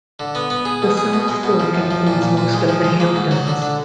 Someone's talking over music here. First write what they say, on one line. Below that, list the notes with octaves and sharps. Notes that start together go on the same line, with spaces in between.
The South Fork includes most of the Hamptons.
D3
B3
B3
G#4
B2
G#4
B2
G#3
B2
F3
F#2
F3
A#2
A#2
A#2
G#3
F3
G#3
A#3
G#2
F#3
D3
D3